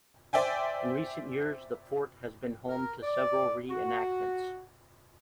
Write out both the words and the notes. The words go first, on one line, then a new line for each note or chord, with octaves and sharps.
In recent years, the fort has been home to several re-enactments.
C5 D5 E5 G5 G#5
A#4
D5
F#4